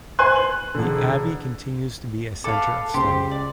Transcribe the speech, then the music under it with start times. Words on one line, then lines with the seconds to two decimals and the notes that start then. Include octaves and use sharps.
The abbey continues to be a centre of study.
0.19 B4 C5 G#5 C6 F#6
0.36 F#7
0.75 E1 D3
2.44 A4 B4 F5 D6
2.94 C#2 G4 C5 C6
3.31 D5